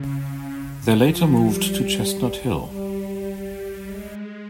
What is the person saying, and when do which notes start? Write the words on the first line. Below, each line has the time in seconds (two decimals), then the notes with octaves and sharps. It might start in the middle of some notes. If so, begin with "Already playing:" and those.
They later moved to Chestnut Hill.
Already playing: C#3
1.00 F3
1.40 G3
2.63 G3
3.04 G3
3.85 G#3